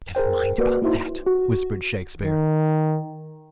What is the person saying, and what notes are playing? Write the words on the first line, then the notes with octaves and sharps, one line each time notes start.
"Never mind about that," whispered Shakespeare.
G#4 A#4 C5 G5
A#3 F#4 B4 D5
A#3 D#4 E4 F#4 C5
F#4
D#3